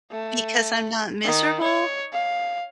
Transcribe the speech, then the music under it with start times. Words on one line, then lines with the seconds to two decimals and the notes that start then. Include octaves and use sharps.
because I'm not miserable
0.11 A3
1.24 D#3
1.63 C#5
2.12 F5